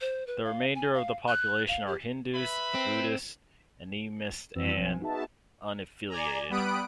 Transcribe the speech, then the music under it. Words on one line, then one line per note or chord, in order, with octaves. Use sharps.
The remainder of the population are Hindus, Buddhists, animists, and unaffiliated.
C5
B4
F5
G#5
F5
F#6
F5
G4
B4 E5 B5
C4
F2 E3 C4 F#4 B4 E6
B1 F3 C4 G#5
B3 D#4 F#4 G#4 E5 A5
D5 G#5 A#5
G3 B3 B5 D#6 F#6 D7